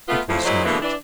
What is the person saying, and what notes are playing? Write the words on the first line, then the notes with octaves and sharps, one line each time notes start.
It was night.
A3 B3 F4
F2 A2 C3 F3
A#2 F#3 D#4 E4 G#4 C5
B2 D3 E3 G#3 A#3 B3
E3 D4